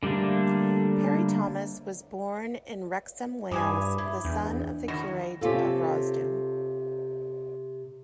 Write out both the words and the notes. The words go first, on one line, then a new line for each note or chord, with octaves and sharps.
Parry-Thomas was born in Wrexham, Wales, the son of the curate of Rhosddu.
D3 G3 A3 A#3 D4
G2 E3 F3 G#5 B5 D6 D#6
E4
E2 D4
D#3 E4 F#4 A#6
C3 C#4 F4 A4